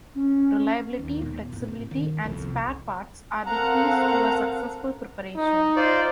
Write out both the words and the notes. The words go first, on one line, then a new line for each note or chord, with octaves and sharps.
Reliability, flexibility, and spare parts are the keys to a successful preparation.
C#4
D#2
A#2 B3
A2 D3
C4
D#3 E3
C2 F2
C4 A4 A#4 F5 F#5 A5 A#5
D#4
F4 C5 D5